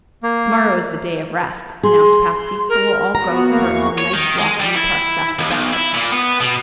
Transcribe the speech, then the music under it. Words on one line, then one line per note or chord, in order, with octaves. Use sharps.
"Tomorrow is the day of rest," announced Patsy, "so we'll all go for a nice walk in the parks after breakfast."
A#3
G#4 C6
A#4
B3 F#4 A#5
E2 A#3 C#6
C#5
D#3
G#3
G3
E4
D#2
B1
E4
A#2
B3
B2